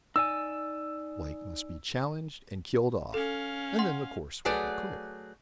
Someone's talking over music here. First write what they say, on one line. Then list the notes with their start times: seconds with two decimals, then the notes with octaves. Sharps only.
Blake must be challenged and killed off, and then the course would be clear.
0.16 D#4 D5 G#5 E6
3.14 C#4 A4 F5
3.79 F#5 C6
4.45 F#3 A3 G#4 B4 D5